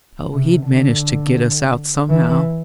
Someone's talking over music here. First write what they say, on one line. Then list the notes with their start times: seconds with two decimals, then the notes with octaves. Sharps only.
"Oh, he'd manage to get us out somehow."
0.32 C3
0.67 D3
2.09 E3